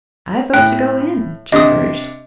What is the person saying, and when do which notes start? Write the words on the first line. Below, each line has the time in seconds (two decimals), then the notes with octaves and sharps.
"I vote to go in," Jeff urged.
0.54 A2 G5 F#6
1.52 C3 D4 D#5 D#6